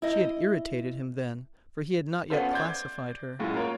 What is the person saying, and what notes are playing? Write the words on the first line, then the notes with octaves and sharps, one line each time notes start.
She had irritated him then, for he had not yet classified her.
E4 D#5
B3 C#4 F4 A4 C5
D5 C6 G6 G#6
F#2 A2 G#3 F4
A#3 F4 A#4 C#5